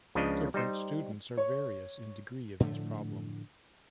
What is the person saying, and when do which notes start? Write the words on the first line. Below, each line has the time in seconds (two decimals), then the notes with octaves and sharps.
Different students are various in degree of these problem.
0.15 C#2 C#3 F3 D4 D#5
0.54 G3 D#4 C5
1.37 C#5
2.60 A2 D3 F3 A3